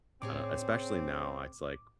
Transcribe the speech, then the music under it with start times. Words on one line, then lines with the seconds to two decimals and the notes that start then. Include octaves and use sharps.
I don't Especially now, it's like,
0.22 A2 C#3 C4 G#4 C#5 D5 D6